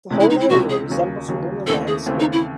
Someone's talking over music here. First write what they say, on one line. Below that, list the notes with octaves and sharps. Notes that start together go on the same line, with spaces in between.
The whole area resembles a lunar landscape.
C#2 C3 E3 G#3 C#4
E4
D#4
E4
C#2 C3 E3 G#3 C#4 F#4
G#4
D#2 C#3 F#3
D#2 C#3 F#3
D#2 C#3 E3 A3 C4 A4
G#4
D#2 C#3 E3 A3 C4
D#4
E4